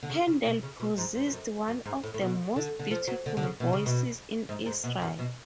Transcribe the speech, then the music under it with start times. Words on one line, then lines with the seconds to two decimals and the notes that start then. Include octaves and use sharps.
Hendel possessed one of the most beautiful voices in Israel.
0.03 D3
0.10 C#3
0.27 C#3
0.45 B2
0.63 C#3
0.80 B2
0.98 G#2
1.16 G#2
1.27 F2
1.33 F#2
1.68 F#2
1.86 G#2
2.03 A2
2.14 A2
2.21 B2
2.56 D3
2.79 D3
2.91 F3
3.08 F#3
3.26 D3
3.37 D3
3.43 C#3
3.60 B2
3.73 C#3
3.86 B2
4.49 G#2
4.66 G#2
4.84 B2
5.02 F#2
5.19 B2